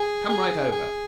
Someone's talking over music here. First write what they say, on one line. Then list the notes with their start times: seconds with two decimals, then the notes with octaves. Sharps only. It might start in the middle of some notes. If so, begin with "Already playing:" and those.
Come right over.
Already playing: G#4
0.29 G#4
0.72 G#4